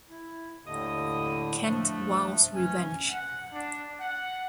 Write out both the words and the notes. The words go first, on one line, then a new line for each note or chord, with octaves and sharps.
Kent vows revenge.
E4
D#2 A2 D3 D#5 D#6
F3 A3 D4
E3 A3 C#4 G#5
F#5
D4
F#5